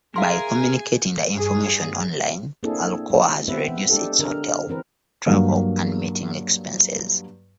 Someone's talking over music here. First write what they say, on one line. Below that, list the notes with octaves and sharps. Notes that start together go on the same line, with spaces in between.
By communicating the information online, Alcoa has reduced its hotel, travel, and meeting expenses.
G#4 A#4 E5 F5 G#5 C6
G2 G#4
A#3 C4 D4 E4 G#4 A4
G#3
G#3 B3 C4 B4 E5
G#3 D4 G4 A4
D3 A#4
E3 C4 A#4 B4
G2 F#3 A#3